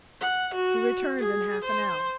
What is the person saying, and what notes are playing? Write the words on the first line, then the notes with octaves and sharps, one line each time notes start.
He returned in half an hour.
F#5
F#4
G#4
C5